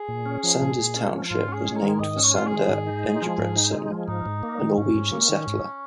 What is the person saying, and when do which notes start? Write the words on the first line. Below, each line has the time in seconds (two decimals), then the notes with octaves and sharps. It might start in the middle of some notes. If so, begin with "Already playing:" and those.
Sanders Township was named for Sander Engebretson, a Norwegian settler.
Already playing: G#4
0.08 A#2
0.26 C#4
0.44 F3
0.61 A#2
0.79 A#2
0.96 C#4
1.13 F3
1.30 G#2 F4
1.48 C#4 G#4
1.65 G#3
1.76 A#4
1.82 D#3
2.00 G#2 D#5
2.17 C#4
2.23 C#5
2.34 G#3 F4
2.46 G#4
2.52 D#3
2.68 G#2
2.87 D#4
3.04 G#3
3.22 F3
3.38 G#2
3.56 D#4
3.72 G#3
3.91 F3
4.07 G#2 D#4
4.26 G#2
4.43 A#3
4.60 D#3
4.77 G#2 C#4
4.95 G#2
5.12 A#3
5.29 D#3
5.47 G#2